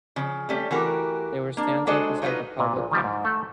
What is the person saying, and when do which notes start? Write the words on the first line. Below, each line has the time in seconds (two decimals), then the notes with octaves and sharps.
They were standing beside the public path.
0.16 C#3 F3
0.49 G3 A3 C#4
0.71 E3 A3 F#4 G4 A#4
1.57 A#3 D4
1.87 G#3 D4 F#4 A4 C5 D#5
2.22 F#3 D#4 F4 F#4 B4
2.59 A#2
2.77 A#1
2.91 D#3 F3 G3
3.04 G#2
3.25 A3 A4